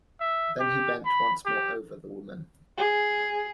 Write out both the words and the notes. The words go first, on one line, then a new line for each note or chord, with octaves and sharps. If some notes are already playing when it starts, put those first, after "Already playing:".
Then he bent once more over the woman.
E5
G4
B5
G4
G#4